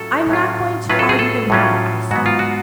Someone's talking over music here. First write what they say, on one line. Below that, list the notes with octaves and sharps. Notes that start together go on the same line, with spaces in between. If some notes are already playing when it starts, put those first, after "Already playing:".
'I am not going to argue the matter,' I said.
Already playing: A2 F#3 C#4 F4 A4
A2 F#3 C#4 F4
A2 F#3 C#4 F4 B4
A4
G#4
A4
A2 F#3 C#4 F4
G#2 F#3 B3 F#4
F4
F#4